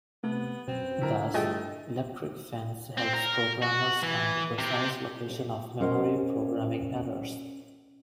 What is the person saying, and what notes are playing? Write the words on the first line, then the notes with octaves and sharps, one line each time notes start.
Thus, Electric Fence helps programmers find the precise location of memory programming errors.
C3 A3 B3
F#2 B2 C4
D3 E4 A#4
G2 A3 F4 G#4 D#5 G5
C4
A#4
F#4
E3
C3 G4
C#4 A#4 C5 D#5 F#5